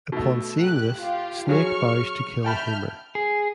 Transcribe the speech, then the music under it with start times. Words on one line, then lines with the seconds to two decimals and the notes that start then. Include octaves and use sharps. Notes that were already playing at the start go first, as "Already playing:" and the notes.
Upon seeing this, Snake vows to kill Homer.
0.12 B2 A3
0.61 G4 F#6
0.98 F4 G4
1.49 F#3 G#4 C#6 F6
2.45 E5 G5 A5 B5 F6 G6
3.15 G#4